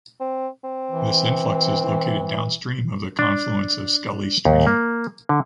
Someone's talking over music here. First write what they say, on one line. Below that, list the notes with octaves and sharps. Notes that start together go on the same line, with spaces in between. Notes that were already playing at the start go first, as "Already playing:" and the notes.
This influx is located downstream of the confluence of Scully stream.
C4
C4
E3
D4
D#2
A#3
D3